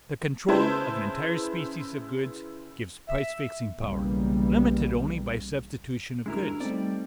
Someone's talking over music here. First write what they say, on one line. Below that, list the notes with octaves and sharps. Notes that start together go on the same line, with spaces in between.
The control of an entire species of goods gives price-fixing power, limited only by substitution of goods.
C#3 E4 B4 C5 A5 G#6
E5
B1 C#3 E3 G3 A#3
D2 D3 G#3 E4 A#4
G3 A3 C4 D#4 D5